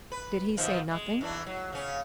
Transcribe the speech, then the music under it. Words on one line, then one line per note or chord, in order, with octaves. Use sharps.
Did he say nothing?
B4
B2 D#3 F3
G#3
E2 E3 D4
F#3
C#3 C#4